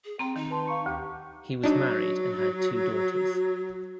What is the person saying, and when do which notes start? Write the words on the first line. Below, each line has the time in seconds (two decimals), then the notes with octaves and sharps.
He was married and had two daughters.
0.05 G#4
0.19 C4 G5 A#5
0.36 D#3 D#4
0.50 B4 A5 C6
0.68 F5 A#5 C#6 C#7
0.86 D2 G4
1.64 F#3 D4 D#4